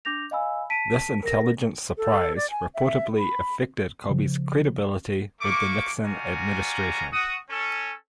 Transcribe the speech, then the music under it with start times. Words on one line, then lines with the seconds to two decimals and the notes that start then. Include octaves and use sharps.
This intelligence surprise reportedly affected Colby's credibility with the Nixon Administration.
0.05 D4 D6 G6 A#6 F7
0.31 D#5 F5 G#5 B5 E6
0.70 A5 B6 D7 D#7
1.23 A#4 A#6
1.98 A4
2.36 D5
2.51 G#5
2.74 E5
3.18 B5
4.09 C#3 F3
5.41 A3 A#3 C#6 D6
6.04 G3 F4 F#4 G#5 A#5 C#6
7.12 F#4 D#6
7.49 C#4 A4